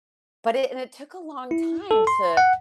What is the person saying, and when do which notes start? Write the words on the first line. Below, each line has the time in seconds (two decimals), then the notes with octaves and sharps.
but it and it took a long time to,
1.51 E4
1.91 A4
2.07 C6
2.37 F#5